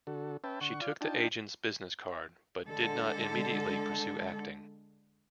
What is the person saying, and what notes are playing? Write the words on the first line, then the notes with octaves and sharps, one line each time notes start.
She took the agent's business card but did not immediately pursue acting.
D3 F#4 A4
C#4 B4 E5 G5 A5
D3 F#5 C#6
F4 D5 F5
D4 D#4 F4 G5 A5
D3 G#3 A4